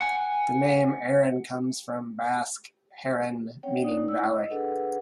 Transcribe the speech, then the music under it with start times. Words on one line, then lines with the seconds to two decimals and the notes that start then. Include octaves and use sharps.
The name Aran comes from Basque "haran", meaning valley.
0.01 F#5 G#5
3.63 C4 C#4 C#5 F#5 G5
3.82 D4 D#4 D5 D#6
4.08 E4 E6
4.33 D#5
4.50 D4 G#4 A4 B4 F#5